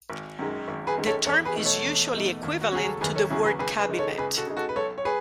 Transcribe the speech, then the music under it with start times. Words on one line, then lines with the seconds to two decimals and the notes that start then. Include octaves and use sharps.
The term is usually equivalent to the word "cabinet".
0.10 G#1
0.39 F#2 D#3 G#3
0.68 G#1
0.87 G#4 B4
0.98 F#2 D#3 G#3
1.06 A4 C#5
1.26 E2 A4 C#5
1.45 G#4 B4
1.55 B2 A3 D#4
1.65 A4 C#5
1.85 E2
2.14 B2 A3 D#4
2.43 D#2
2.61 F#4
2.72 C#3 F#3 C#4 G#4
2.89 A4
3.01 D#2 G#4 B4
3.15 A4 C#5
3.30 C#3 F#3 C#4 E4 G#4
3.45 G#4 B4
3.59 C#2 G#4 B4
3.78 G#4 B4
3.89 C#3 G#3 D#4
3.99 A4 C#5
4.18 C#2 G#4 B4
4.37 F#4 A4
4.47 C#3 G#3 D#4
4.57 F#4 A4
4.69 B4
4.76 B1 A4 C#5
4.98 C#5
5.05 G#4 B4